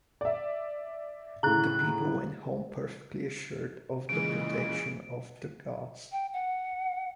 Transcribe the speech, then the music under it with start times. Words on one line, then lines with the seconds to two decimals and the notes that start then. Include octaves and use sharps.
The people went home perfectly assured of the protection of the gods.
0.21 D5 E5
1.43 A2 C#3 A#5 F#6
4.09 A#2 C#3 E3 G#3 D7
6.12 G5
6.33 F#5